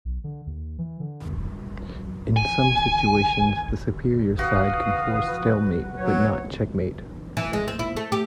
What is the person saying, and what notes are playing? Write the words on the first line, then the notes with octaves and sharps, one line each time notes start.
In some situations the superior side can force stalemate but not checkmate.
B1
D3
D#2
E3
D3
E2
E1
G#5
F#4 B4 F5 D#6
F#3 C#5
E3
G#3
C4
E4
A3
G4